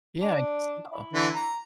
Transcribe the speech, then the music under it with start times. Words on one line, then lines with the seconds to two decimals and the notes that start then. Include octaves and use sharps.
Yeah, I guess so.
0.22 D4
0.93 E4
1.13 D3 E3
1.34 A#5